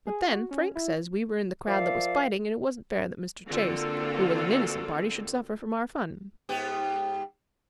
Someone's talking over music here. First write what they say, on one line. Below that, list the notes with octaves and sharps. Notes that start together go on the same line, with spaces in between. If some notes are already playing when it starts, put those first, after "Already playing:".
But then Frank says we were in the crowd that was fighting, and it wasn't fair that Mr. Chase, who was an innocent party, should suffer from our fun.
G#4
F#4
C#4
E4
F3 A#4 D5 E5 F5
D3 A#3 C4 F4 F#4 A4
G#2 B3 G4